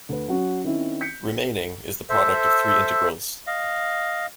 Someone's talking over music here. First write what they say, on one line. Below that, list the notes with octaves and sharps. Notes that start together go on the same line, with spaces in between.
Remaining is the product of three integrals.
D2 B4
F#3 C#4 F#4
D#3 C4 C#4 E4
G6 B6 C#7
A4 C5 E5
D#5 F5